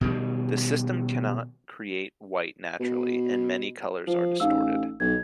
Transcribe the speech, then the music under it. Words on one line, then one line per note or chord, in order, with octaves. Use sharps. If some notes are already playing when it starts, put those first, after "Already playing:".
The system cannot create white naturally, and many colors are distorted.
B2 D#3 G3
B2
F3
A1 D#4 F5 E6
B1 G#6